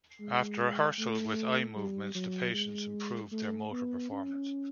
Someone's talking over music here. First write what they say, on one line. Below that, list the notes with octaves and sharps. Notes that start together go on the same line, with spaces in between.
After rehearsal with eye movements, the patients improved their motor performance.
G#3
A3
G3
F#3
G#3
A3
B3
C#4